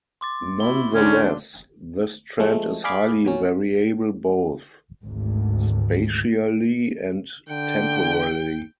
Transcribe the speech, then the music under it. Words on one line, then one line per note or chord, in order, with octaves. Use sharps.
Nonetheless, this trend is highly variable both spatially and temporally.
C6 D6 A6
E4 F#4 G7
D2 C#4 D4
F3 G#3 A3
G#4 D5 F5 B5 D6
A#2 F#3 C#4
G#1 D2 G#2
D3 G5